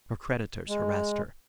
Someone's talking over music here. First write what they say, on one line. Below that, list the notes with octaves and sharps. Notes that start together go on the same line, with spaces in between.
Her creditors harrassed her.
G#3